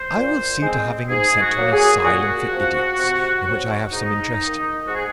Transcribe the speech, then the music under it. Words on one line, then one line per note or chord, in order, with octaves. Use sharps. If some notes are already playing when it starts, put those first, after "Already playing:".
I will see to having him sent to an asylum for idiots in which I have some interest.
Already playing: C5
A#2
G#3 C4
G#2 G#4
F#4
F#3 A#3
G#4
A#2 F#4
F3 C4
C3
F#3 C4
G#2 D#4
D#3 A#3
G#2 F#4
G#4